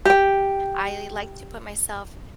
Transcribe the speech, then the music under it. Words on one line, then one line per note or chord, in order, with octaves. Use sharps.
I like to put myself
G4 G5